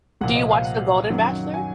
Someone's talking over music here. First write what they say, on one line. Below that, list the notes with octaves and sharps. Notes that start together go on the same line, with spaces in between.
Do you watch The Golden Bachelor?
C2 A#2 F3 F#5
D#5
F5
F#5
F#2 D#3 F#3
G#5